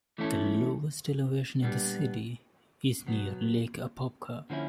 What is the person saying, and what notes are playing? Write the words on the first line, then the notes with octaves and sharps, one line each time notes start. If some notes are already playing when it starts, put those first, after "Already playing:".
The lowest elevation in the city is near Lake Apopka.
E3 A3 C#4 E4 A4
A#2 G3 B3 D4
B2 F#3 B3
D3 F3 A#3 C#4 E4